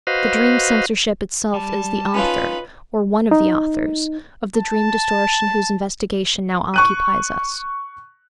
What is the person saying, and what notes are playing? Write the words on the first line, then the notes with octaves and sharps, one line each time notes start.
The dream censorship itself is the author, or one of the authors, of the dream distortion whose investigation now occupies us.
F#4 B4 C5 D#5 F5
G3 A5
C#4 D#4 F4 B4
D#4
A5
C#6 F#6 D#7